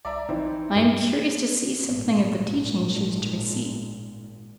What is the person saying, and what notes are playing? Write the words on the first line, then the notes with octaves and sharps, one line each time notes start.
I am curious to see something of the teaching she is to receive.'
C2 D5 E5 A#5
A#1 E3 C4 D#4 E4
G2 A#2
G#1 A#2